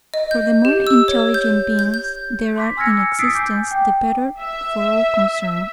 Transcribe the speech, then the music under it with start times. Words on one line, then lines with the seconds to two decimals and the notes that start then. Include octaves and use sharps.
For the more intelligent beings there are in existence, the better for all concerned.
0.14 D#5
0.31 G6
0.65 G4
0.87 E6
1.08 C#5
1.34 G6
1.79 G6
1.94 G6
2.56 C6 D6 B6
2.77 G#5 E6 F6 G#6 A#6 C#7
3.19 D#6 E6 A6 B6 C7 D7
3.35 G#5 D6 G6
3.71 G5
4.39 E5